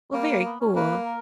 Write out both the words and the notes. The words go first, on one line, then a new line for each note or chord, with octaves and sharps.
Well, very cool,
G3 A#3
G3
B3
C#4
A#3 B4
A#4